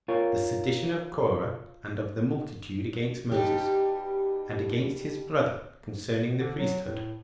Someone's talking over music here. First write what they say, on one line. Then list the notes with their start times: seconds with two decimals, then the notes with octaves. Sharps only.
The Sedition Of Corah And Of The Multitude Against Moses, And Against His Brother, Concerning The Priesthood.
0.08 F4 A#4 C#5
3.32 B2 G3 D#4 G4
6.39 D3
6.59 F#3
6.86 A2